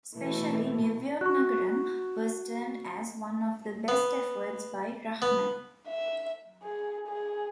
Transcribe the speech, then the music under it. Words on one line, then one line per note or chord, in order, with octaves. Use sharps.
Especially, "New York Nagaram" was termed as one of the best efforts by Rahman.
B2 E3 A3
F#4 C#6 F#6
B3
B3
E5
G#4
G#4